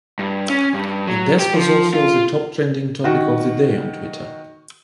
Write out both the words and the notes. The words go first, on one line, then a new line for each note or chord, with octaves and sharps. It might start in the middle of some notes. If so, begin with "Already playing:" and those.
The death was also the top trending topic of the day on Twitter.
G2
C#4
G2
F#3
G4
F3
F4
D#3 F#4